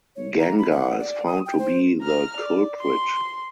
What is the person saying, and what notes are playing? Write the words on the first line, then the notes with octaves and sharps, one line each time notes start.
Ganga is found to be the culprit.
C#5
A#5
B5
F#5
D5
D#6
G5
C5
A#5 F6
D5
C6